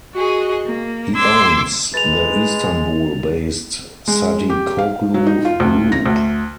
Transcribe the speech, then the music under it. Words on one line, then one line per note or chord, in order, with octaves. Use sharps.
He owns the Istanbul-based Sadikoglu Group.
F#4 G#4 D#5
A#3
C6 D6 E6 G#6
G#3 B4 A6 F7
G#3
G4
F5
F#3
D#4
F4
D2
A#6
D2